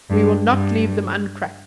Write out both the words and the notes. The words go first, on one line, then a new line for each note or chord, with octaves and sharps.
We will not leave them uncracked.
G2
G2